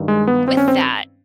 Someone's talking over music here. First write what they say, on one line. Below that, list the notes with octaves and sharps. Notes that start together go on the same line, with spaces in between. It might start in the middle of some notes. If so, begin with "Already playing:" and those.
with that,
Already playing: G2 D#3
G#3
B3
C4
C#4
C4